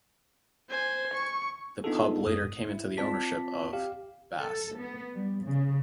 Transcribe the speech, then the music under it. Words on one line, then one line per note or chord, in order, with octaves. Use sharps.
The pub later came into the ownership of Bass.
C5 G#5
C#6
B3 D4 D#4 F4 G#4 A4
F#2 D#6
G#2
E4
C4 F4 D5 A5 B6
G4 F5
A4
B3
G3
C#3